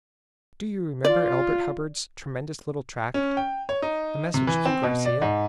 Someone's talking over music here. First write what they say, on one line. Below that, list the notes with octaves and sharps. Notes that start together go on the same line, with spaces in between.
Do you remember Elbert Hubbard's tremendous little tract, "A Message to Garcia"?
F4 D5
C#4
G5
C#5
D#4
C3
E3
C4
B2
D5
G#2